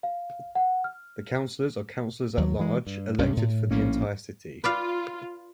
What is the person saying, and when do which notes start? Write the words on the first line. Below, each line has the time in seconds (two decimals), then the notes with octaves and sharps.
The councillors are councilors-at-large elected for the entire city.
0.03 F5
0.55 F#5
0.84 F6
2.37 D#2 F#3
2.59 E3 G#3
2.87 G2
3.18 B1 G2 C3 C#4
3.37 A2
3.71 A#1 A2 A#3 C#4
4.64 F4 B4 D5 F5